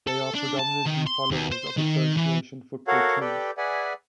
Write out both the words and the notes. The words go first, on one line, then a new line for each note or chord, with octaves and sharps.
They are predominantly followers of association football teams.
A4
D4
A5
D#3
C6
D#2
C5
D#3
E3
F#4 A4 A#4 C#5 F5 F#5
G4 A4 B4 D5 G5
G#4 B4 D5 E5 F#5 G#5